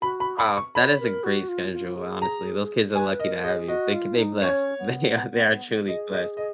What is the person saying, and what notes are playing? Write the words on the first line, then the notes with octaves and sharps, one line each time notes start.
Wow, that is a great schedule, honestly, those kids are lucky to have you. They c they blessed. They ar they are truly blessed.
F#4 B5
B5
B5
C#6
C#5 B5
A#4
F#4
F4
F4
G#4
A#5
B4 G#5
A#4 D#5
G#4 D#5
F#4 D#5
F4
D#4
C#4 C#5
B3
G#4 D#5
D#5
D#5